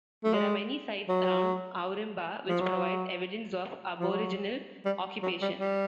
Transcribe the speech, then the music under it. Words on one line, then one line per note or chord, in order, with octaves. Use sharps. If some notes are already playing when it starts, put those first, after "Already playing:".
There are many sites around Ourimbah which provide evidence of Aboriginal occupation.
A3
G#3
F#3
F3
F#3
F3
F#3
G3
F#3
G3
G3